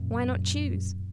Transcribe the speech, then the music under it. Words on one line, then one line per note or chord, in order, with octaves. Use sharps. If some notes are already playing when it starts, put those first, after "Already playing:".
Why not choose?
Already playing: F#2 A#2